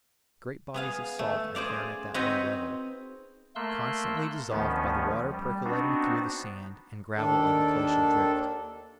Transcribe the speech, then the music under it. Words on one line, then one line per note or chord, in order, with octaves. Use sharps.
Great bodies of salt are found at that low level, constantly dissolved by the water percolating through the sand and gravel of the glacial drift.
B3 G#4 F5
A3
G#4 C5 D5 F5
C4 D#4 F#4 B4 C#5 D#5
A3 A#3 C6 E6 F#6
D2 D#3 F3 B3 C#4
G3
B3 C4 D4 D#4 F#4
D#2 D#3 D4 A4